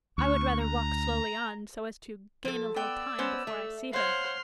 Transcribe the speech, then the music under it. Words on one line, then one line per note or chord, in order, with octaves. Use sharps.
'I would rather walk slowly on, so as to gain a little time before I see her.
D2 C#6
A#5
F3 A4
B3 D5 G5 E6
B3 C#4 C5
A3
C5 C#5 F5 F#5 C6 F6